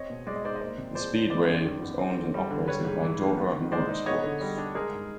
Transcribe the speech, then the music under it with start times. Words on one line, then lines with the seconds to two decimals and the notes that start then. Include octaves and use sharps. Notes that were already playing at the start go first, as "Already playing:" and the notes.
The speedway was owned and operated by Dover Motorsports.
Already playing: C4 C#5 D#5
0.10 B2
0.27 G#3 D5
0.36 D#5
0.44 D#4 C5 D5
0.55 D#5
0.61 A#3 C5 D5
0.78 C3
0.95 F3 C5 D5
1.13 D4
1.30 G#3 C5 D5
1.47 F#2
1.65 D#3
1.82 B3
1.99 C4
2.16 D3
2.34 G3
2.51 D3
2.68 G3 B4 C#5
2.85 G#2
3.02 E3
3.20 A#3
3.37 B3
3.55 D#3
3.72 G#3 C5 D5
3.89 D#4
4.06 B3 C#5 D#5
4.24 D3
4.41 G3
4.58 D4
4.75 G#3 G#4 A#4
4.93 G#2